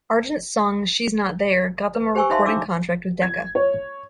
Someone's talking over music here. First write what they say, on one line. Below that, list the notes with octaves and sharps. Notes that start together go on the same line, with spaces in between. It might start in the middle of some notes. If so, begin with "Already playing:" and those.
Argent's song "She's Not There" got them a recording contract with Decca.
B4
G4 C5 G5 G#5 C#6 E6
D#4 C5 E5 F5 A5 C6
D4 D#4 D6 E6
G#6
C#5